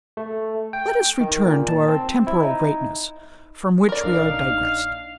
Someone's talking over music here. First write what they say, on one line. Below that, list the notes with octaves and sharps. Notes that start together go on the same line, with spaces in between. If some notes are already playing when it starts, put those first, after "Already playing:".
Let us return to our temporal greatness, from which we are digressed.
A3
G5
D#3
A#2
A5
C4
E4
D#4
A#4 D5
A#1 D4 D#4 F5